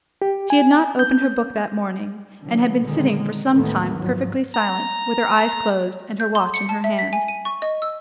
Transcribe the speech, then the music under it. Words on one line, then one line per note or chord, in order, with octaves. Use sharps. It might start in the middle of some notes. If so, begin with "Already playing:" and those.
She had not opened her book that morning, and had been sitting for some time perfectly silent, with her eyes closed, and her watch in her hand.
G4
G#5
G6
D3 E3 F#3
A#1 D3 D#3 G#3
D#2 A2 D#3 E3 A3 B3
G#2 F3 F#3
A#5
G6
C6
C#7
A5
E5
B6
G#5
D#7
C#6
D#5
E6